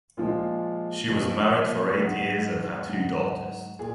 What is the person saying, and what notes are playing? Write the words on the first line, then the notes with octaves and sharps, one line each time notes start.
She was married for eight years and had two daughters.
A#2 F3 G#3 F4
A#2 F3 G#3
G#2 F#3 F#4
G#2 F#3
A#2 G#4